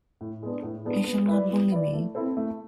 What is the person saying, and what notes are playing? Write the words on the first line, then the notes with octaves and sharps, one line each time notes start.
He shall not bully me.
A2
G#3 B3 D4
A2
G#3 B3 D4
B3
E4 B4 D5
B3
E4 B4 D5
A3
C4 E4 A4 C5
A3